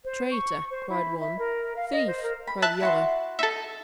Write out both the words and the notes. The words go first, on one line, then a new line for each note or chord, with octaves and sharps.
Traitor, cried one; thief, cried the other.
C5
C#6
C5
E4
E5
A#4
F5
D#5
C5
A#4
B5
E5 A5 F#6
E4 F#4 C6
D#4 A4 E5